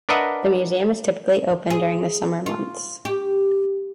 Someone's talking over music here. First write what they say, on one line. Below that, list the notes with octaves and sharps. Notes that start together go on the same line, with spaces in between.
The museum is typically open during the summer months.
D4 A#4 B4 D#5 E5 F#5
G#4
F4
G4